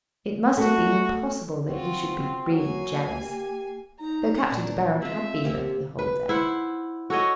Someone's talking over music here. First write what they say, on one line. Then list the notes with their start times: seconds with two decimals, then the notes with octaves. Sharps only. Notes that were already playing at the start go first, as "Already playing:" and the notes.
It must have been impossible that he should be really jealous, though Captain De Baron had been there the whole day.
0.57 A3 F#4
1.69 C4 F4 F#4
2.51 F#3 A#3 G#5
3.21 G4
4.00 D#4 A#5
4.50 A#2 D4 D5
5.02 G#3 C4 F4 E5
5.44 C3 A#3 G4
5.99 B4
6.29 E4 C5 F#5
7.10 F#4 A4 C#5 D#5